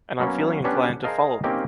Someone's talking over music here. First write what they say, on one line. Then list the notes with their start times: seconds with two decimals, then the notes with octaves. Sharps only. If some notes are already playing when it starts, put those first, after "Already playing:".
And I’m feeling inclined to follow them.
0.19 F#3 A#3 B3 C#4
0.64 B3 C#4 D4 G4 B4 C#5
1.04 G#4 A#4 C5 D#5 F5 A5
1.44 A#3 C4 C#4 D#4 G4 A#4